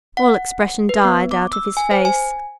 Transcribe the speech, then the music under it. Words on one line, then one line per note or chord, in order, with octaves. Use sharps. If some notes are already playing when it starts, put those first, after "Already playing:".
All expression died out of his face.
F#5
B4
B3
D6
E6
G#5
C5
G#5